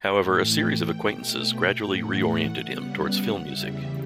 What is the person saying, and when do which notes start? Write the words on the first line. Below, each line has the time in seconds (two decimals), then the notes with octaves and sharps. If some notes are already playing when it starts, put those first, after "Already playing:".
However, a series of acquaintances gradually re-oriented him towards film music.
0.19 A2 E3 A3 G5
1.00 B2
1.05 A3
1.82 A2 E3 A3 F#5
2.63 C#3 G3 B3
3.44 E2 C#3 G3 E5